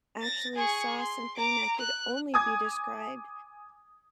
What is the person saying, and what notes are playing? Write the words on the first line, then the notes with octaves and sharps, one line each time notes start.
actually saw something that could only be described
A6 A#6
G#4 C#6
C6
A#5 D6
F#6
G#5 D6 D#6 G#6